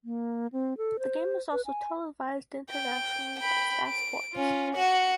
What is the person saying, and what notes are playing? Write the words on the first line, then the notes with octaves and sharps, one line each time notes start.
The game was also televised internationally by Sky Sports.
A#3
C4
A4
C5
B4
G#5
G5
G5 B5
D7
C#4 F4
F#4 F#5